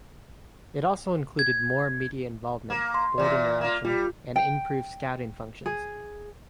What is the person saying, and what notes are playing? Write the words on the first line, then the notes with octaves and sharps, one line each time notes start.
It also included more media involvement, board interaction and improved scouting functions.
G#6
A#3
C6
A#2 E3 D5
A#3 F4
G3 F4
G5
G#4